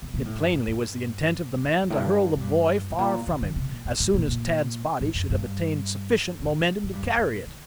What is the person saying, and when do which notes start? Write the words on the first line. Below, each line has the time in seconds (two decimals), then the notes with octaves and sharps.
It plainly was the intent of the man to hurl the boy far from him, as soon as Tad's body should have attained sufficient momentum to carry it.
0.02 C3
0.14 A#2
0.25 A2
0.38 G2
0.53 A2
0.67 G2
1.54 G2
1.64 A#2
1.83 G2
1.90 A2
1.97 G2
2.36 A2
2.41 G2
2.90 A2
2.98 A#2
3.27 C3
3.42 D3
3.56 C3
3.70 A#2
3.85 A2
4.00 A2
4.14 A#2
4.28 A#2
5.01 A2
5.15 F#2
5.30 G2
6.40 A#2
6.45 A2
6.60 C3
6.84 A2
6.93 G2
7.02 F#2
7.18 G2
7.31 A#2
7.46 D3